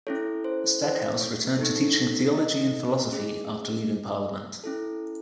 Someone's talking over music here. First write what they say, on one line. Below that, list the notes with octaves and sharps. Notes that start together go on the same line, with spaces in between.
Stackhouse returned to teaching theology and philosophy after leaving parliament.
C#4 E4 A4 C#5
C5
C5
C#5
C4 D#4 A4
D#5
C#4 G#4
C#4 E4 A4